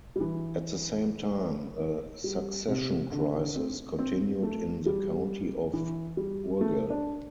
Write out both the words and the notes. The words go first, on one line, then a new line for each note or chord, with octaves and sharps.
At the same time, a succession crisis continued in the County of Urgell.
G3
E3
G3
C3
D3
D3
C4
C4
A3
G3
E3
G3
A3
D4